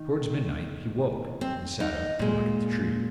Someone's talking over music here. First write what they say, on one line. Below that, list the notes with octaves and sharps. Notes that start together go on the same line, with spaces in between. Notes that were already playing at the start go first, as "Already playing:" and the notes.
Towards midnight he awoke, and sat up to look at the tree.
Already playing: D#3
C4
D#4
A#2 G#3